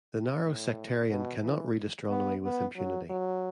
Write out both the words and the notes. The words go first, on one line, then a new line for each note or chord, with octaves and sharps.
The narrow sectarian cannot read astronomy with impunity.
A2
B2
E3
B3
B3
F#3
F#3